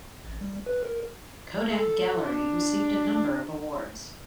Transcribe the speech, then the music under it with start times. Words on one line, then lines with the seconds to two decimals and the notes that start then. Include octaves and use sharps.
Kodak Gallery received a number of awards.
0.24 A1
0.41 G3
0.66 B4
0.83 A#4
1.71 A4
2.25 D4